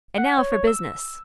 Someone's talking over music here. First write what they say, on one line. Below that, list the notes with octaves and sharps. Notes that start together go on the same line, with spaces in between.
And now for business.
F#5
C#5
C#5
E6